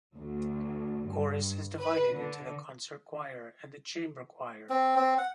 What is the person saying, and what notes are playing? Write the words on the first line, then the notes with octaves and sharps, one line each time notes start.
Chorus is divided into the concert choir and the chamber choir.
D2
G2
B4
D3
C4
C4
F#5